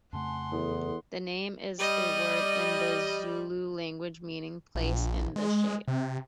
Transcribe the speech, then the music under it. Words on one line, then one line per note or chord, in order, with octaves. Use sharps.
The name is a word in the Zulu language meaning place in the shade.
F2 C#3 A3 F#5 G#5 A5 C6
E2 E4 A4 D#6
G3 D#5
A#1
G#3
C3